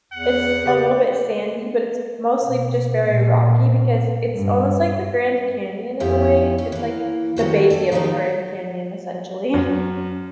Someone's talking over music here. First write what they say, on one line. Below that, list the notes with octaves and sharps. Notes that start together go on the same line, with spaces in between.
it's a little bit sandy, but it's mostly just very rocky because it's almost like the Grand Canyon in a way. It's like the baby of the Grand Canyon, essentially.
E2 F#5
C#3 G4 D5
B2
A#2
G2
F2 B3 E4 G4
C#4
E3 A#3
D#3 C#4 F#4 A4
A4 D5
D#3 F3 F#3 A3 D#4 F4
F#2